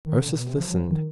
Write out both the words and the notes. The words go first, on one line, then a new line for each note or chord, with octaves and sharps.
Ursus listened.
D#3
D3
A#2
B2
C3
F3
F#3
F3
D#3